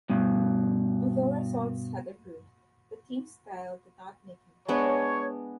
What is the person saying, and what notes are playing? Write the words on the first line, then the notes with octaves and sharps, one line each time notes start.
Although results had improved, the team's style did not make him popular.
G2 B2
G#3 B3 D4 C#5